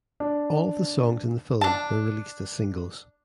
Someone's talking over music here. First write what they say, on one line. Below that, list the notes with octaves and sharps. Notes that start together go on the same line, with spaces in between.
All the songs in the film were released as singles.
D4
D4 A5